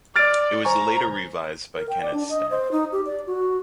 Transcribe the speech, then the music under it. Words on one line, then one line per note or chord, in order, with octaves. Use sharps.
It was later revised by Kenneth Stamp.
D5 F6 A6 D7
C5 G#5 A#5 C#6
A#4
G5
D5
D4
D#5
C5
D#4
G4
D5
F#4